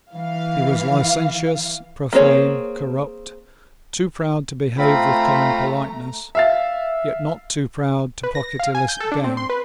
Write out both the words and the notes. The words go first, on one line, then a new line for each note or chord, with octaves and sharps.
He was licentious, profane, corrupt, too proud to behave with common politeness, yet not too proud to pocket illicit gain.
E3 F5
A#3 C4 G#4 C#5
A3 C4 F4 A#5 B5
E5 F5 A6
B4
A#6
F5
G#5
G6
A4
D4
C4
C6
B4